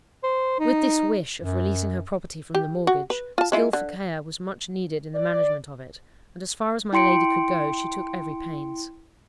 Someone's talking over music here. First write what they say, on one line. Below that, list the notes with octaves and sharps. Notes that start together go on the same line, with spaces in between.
With this wish of releasing her property from the mortgage, skilful care was much needed in the management of it; and as far as my lady could go, she took every pains.
C5
D#4
F#2
G4
F#4
B4
F4 A5
G#3 E4 F4
D3
D5
E4 G5 C6 C#7 D7